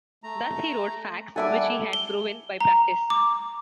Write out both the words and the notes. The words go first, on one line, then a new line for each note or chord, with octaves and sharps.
Thus he wrote facts, which he had proven by practice.
A3 A#5
G3 A4 E5 F#5 G#5 D6
G7
A#5
D6